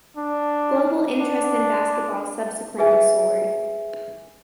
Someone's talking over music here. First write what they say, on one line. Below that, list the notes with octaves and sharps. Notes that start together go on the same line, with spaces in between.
Global interest in basketball subsequently soared.
D4
D4
G#4 B4 E5 G#5